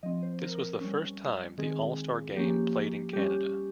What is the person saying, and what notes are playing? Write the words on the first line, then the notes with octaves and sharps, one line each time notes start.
This was the first time the All-Star game played in Canada.
F3 C4 D#5
C5
A#4
G3 C#4
D#3 G#3 C4 G#4
F3 A#3 C#4 G4
G3 C#4 G4